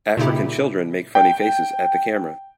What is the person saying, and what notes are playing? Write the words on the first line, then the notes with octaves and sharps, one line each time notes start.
African children make funny faces at the camera.
A#2 C#3 D#4 E4 G4
G5